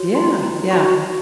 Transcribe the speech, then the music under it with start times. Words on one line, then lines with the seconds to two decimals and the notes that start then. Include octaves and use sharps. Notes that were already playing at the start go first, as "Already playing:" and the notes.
Yeah. Yeah.
Already playing: F#4 C#5
0.15 C6
0.43 A#5
0.70 F#4 C#5 C#6